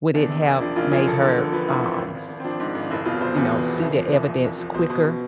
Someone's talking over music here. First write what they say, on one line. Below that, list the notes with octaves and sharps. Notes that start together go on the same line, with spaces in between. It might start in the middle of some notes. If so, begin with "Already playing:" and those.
would it have made her, um, s you know, see the evidence quicker,
E2 D4
C3
E1
F3 D4
E1 F4
F3 G#4
E1 A4
D3
D3
F3 B4
D2 E4
D2 C4
G#1
G#1
G#1
C4
F3 D4
G#2
G#1
F1 E4
B2 F4
B2 C5
E2 B4
B2
E2
C2
F3
C2
C2
C2
F3
B2 C5
B2
B2